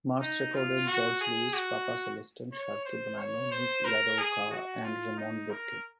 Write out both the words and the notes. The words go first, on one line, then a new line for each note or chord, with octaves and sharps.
Mares recorded George Lewis, Papa Celestin, Sharkey Bonano, Nick LaRocca, and Raymond Burke.
D#4
F4
F#4
G#4
F#4
C#5
C5
C#5
C5
A#4
G#4
F#4
F4
D#4
A#4